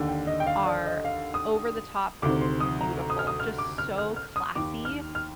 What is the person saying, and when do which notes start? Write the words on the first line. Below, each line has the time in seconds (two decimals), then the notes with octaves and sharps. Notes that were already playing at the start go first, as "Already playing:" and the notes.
are over-the-top beautiful, just so classy.
Already playing: D#2 D3
0.08 G5
0.27 D#5
0.40 G5
0.47 F5
0.66 D5
0.86 D#5
1.05 F5
1.34 D#6
2.22 D2 C3 D#3 D6
2.41 C6
2.60 D#6
2.81 A#5
3.10 D#6
3.19 F6
3.27 D#6
3.40 F6
3.58 D6
3.78 F6
3.98 F6
4.16 F6
4.36 D#6
4.55 D#2 D#3 D6
4.85 F6
5.15 F6